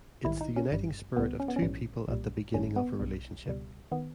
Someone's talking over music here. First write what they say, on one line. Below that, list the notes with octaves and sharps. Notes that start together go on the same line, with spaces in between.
It's the uniting spirit of two people at the beginning of a relationship.
A#1 G#2 D#3 G3 E4
D#4
C#4
G#1 G2 G3
C#2 C#3 G3 B3
C#4
B3
C#4
A#1 G#2 E3 G3
B1 A#2 G3
G#1 G2 D#3 G3 C#4
B3
B1 B2 G3
C#2 B2 G3
D#3 B3